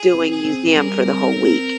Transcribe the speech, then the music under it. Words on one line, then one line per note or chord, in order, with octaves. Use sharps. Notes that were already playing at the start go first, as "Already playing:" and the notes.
doing museum for the whole week.
Already playing: G#4
C4
G#4
C4
G3 A#4
C4
C4